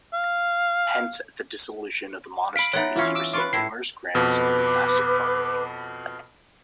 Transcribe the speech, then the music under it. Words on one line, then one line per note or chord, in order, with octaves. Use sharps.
Hence at the Dissolution of the Monasteries he received numerous grants of monastic property.
F5
F5 B5 B6 D7
G#3 B3 D#4 C#5 E5
E3 C#4 E4 F4 F5
D6 E6
F4 B4 C#6 D6
A2 E4 C7
F2 B2 B4 D6